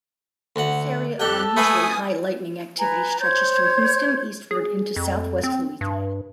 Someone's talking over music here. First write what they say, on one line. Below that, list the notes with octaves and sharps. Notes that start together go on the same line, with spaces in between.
This area of unusually high lightning activity stretches from Houston eastward into Southwest Louisiana.
D2 F#5
F2 G4 A4 G5 F#6
A3 B4 F5 G#5 D#6
B4 G#5 A#5
C5 C#5 G6 G#6
G#4
F2
C4
G2